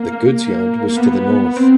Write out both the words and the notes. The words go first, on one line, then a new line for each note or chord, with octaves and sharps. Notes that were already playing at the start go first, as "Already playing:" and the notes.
The goods yard was to the north.
Already playing: A#3
A#3
B3
C4